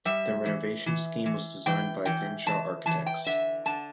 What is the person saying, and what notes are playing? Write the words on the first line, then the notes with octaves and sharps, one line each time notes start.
The renovation scheme was designed by Grimshaw Architects.
G3 E5
E3
E3
E3
E3 G5
E3 G5
E3 A5
E3 A5
G5
D3 E5
D3 A5